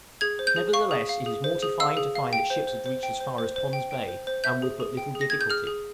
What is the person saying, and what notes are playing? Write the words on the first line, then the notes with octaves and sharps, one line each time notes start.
Nevertheless it is mortifying to find that ships had reached as far as Pond's Bay, and with but little difficulty.
G#4 G#6
C5
G6
G#4
F5 C#6
G#4
F5
G#4
C5
G#4
F5 E6
G#4
F5
G5
C5
C5
C5
G5
C5
C5
C5
G5
G5
C5
C5
E5 G6
G#4
G#4
G5
G#4
A#6
G#4 G#6
G6
G#4 F6
G#4